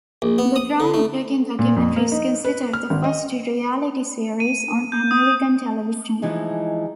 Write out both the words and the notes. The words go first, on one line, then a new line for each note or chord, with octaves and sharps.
The groundbreaking documentary is considered the first "reality" series on American television.
A#1
B3
D#6
D3
A3
A#2
F2
A#3
D#4
B4
F6
G#1
D#5
D#7
G6
D#6
E3 F3 G#3 D#4